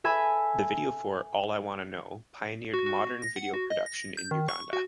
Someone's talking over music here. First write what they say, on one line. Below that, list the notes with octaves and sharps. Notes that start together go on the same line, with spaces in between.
The video for "All I Wanna Know" pioneered modern video production in Uganda.
A4 E5 G#5 B5
F#4
F#4
A#6
F#5
F#4
D#5
A#6
G6
D#3
C#6
F#4